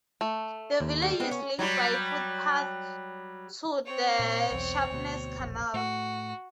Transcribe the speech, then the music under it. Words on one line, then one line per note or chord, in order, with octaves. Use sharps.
The village is linked by footpath to the Sharpness Canal.
A3
D#2
G3 G#4
G3 G#3 B3 C4
C#4
F#3 G3
C4 C#5
A#2 A#3
B1 E2
D2 B2
E1 A#1
A2 A3 F#4